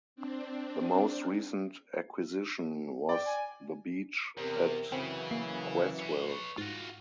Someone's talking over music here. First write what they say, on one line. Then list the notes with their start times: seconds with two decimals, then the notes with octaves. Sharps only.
The most recent acquisition was the beach at Cresswell.
0.16 C4 D4
3.09 D5 G5
3.25 G#5
4.37 E2 C3 A#4
4.92 F#2 C#3 E3 C4 B5
5.31 A#3 C7
5.99 B4 C#5
6.58 G#2 F4 F#4